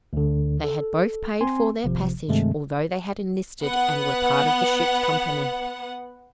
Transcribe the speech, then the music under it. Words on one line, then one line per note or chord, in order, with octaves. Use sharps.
They had both paid for their passage, although they had enlisted and were part of the ship's company.
D2 D3
A4
C4 G#5 C6
G#1 C3 F3
G2 C3 D#3 G#3 A3 C4
B3 F#5